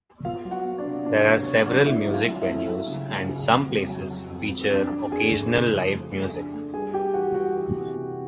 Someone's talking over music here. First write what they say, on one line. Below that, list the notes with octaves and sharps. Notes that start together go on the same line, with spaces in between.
There are several music venues and some places feature occasional live music.
B3 F4 F5
F#3
F#4 F#5
B3
D4 D5
C3
C3 D4 D5
B3 C#5
C3 C#5
F#3 D4 D5
A3 E4 E5
F#3
F4 F5
F#3
E4 E5
A3
F#3
C#3
F#3
C#3
F2
F#3
F#3
F#3
F2
F2
F2 D4 D5
F2
D4 G#4 G#5
A3
C#3
F3
A3
A3
D4
A3
G3 G#4 G#5
G3 G4 G5
E3 F#4 F#5
G3 F#4 F#5
E3
C3
C3